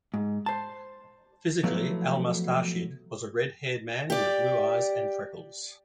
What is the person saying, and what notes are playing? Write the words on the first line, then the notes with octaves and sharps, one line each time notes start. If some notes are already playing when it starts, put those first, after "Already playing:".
Physically, Al-Mustarshid was a red-haired man with blue eyes and freckles.
G#2
C5 A5
F3 F#3 A3 B3 E4
G4 D5